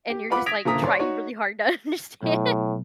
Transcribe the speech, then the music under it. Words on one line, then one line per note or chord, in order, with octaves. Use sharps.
and you're just, like, trying really hard to understand.
G4
F4 B4 F#5 B5 D6
D#6 G#6 A#6 B6 D7 F7
F#1 A#2 D3 A#5 D#6 B6
C#5 D5 C6
D#4 F#4 C#5
B1 A2